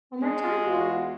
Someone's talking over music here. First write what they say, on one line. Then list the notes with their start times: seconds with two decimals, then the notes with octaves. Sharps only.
One more time?
0.22 G#3
0.65 E2 F4 F#4